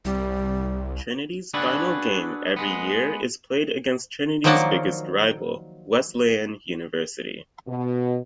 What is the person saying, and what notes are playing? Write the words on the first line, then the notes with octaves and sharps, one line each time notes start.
Trinity's final game every year is played against Trinity's biggest rival, Wesleyan University.
C2 G3
D4 F#4 G#4 A4 B4
G#3 B3
D#3 F3 F#3 A#3 D5 F#5
B2